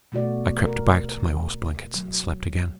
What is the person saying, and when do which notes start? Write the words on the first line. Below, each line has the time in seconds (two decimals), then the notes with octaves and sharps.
I crept back to my horse blankets and slept again.
0.12 B2 A3 F#4 D5
0.65 A#4
1.95 F#3